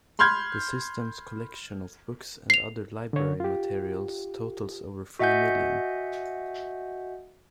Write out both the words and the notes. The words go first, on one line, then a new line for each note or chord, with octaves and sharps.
The system's collection of books and other library materials totals over three million.
B5 C6 F6 G6 G#6
C7 F7
D3 C#5
F4 G4
F#4 D#5 E5 F#5 G#5 G6